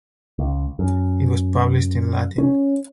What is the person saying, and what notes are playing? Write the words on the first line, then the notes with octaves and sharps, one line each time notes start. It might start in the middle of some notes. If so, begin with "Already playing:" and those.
It was published in Latin.
C#2
F#2
C#4